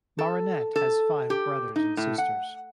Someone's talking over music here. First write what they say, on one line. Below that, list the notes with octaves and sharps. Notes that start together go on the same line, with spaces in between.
Marinette has five brothers and sisters.
A4
A4
G4
D#4
A2
F#5